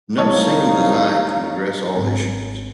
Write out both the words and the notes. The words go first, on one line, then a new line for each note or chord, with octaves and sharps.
No single design can address all issues.
C2 D#4 C#5 D#5 F5 A5
G#1